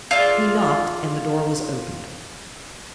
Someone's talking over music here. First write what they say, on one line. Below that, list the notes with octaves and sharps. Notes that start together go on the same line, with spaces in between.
He knocked and the door was opened.
F4 G#4 D5 E5